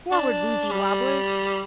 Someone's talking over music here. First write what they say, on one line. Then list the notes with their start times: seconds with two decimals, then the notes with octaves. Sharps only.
Forward, woozy wobblers!
0.12 D4
0.71 G3